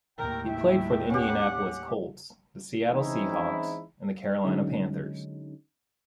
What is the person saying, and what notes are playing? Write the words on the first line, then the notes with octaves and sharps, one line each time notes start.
He played for the Indianapolis Colts, the Seattle Seahawks, and the Carolina Panthers.
D#2 A2 A#4 G5 A#5
E4 E5
C#4 G4 F#5
E3 G#3 C4 C#4 D#4 E4
D3 F#3 G#3 C#4 D#4